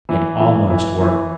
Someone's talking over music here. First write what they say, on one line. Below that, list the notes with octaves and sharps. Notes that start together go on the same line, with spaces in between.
It almost worked.
E3
E3
E3
E3